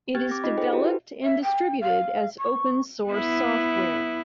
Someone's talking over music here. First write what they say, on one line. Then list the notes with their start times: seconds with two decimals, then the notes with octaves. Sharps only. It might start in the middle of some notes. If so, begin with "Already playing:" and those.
It is developed and distributed as open-source software.
0.15 C4 G4 G5 F6 G#6 A6
0.29 D6 A#6
0.44 D#4 F4 D#5 B5
0.58 G#4 A4 C5 G5
0.72 E4 F#4 G4
0.84 E4 F#4 B4
1.24 E5
1.42 G5
1.81 F5
2.38 C#6
3.09 B3 E4